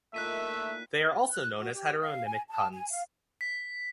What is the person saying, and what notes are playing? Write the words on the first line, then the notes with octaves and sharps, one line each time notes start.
They are also known as "heteronymic puns".
A#2 A3 D#4 E4 E5 F#6 B6 D#7
F#6
F#4
G4
F5
G#5
A5
G#5
F5
B6